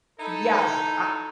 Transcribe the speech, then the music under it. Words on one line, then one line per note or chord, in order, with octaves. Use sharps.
Yes, I
D#4 E4 A4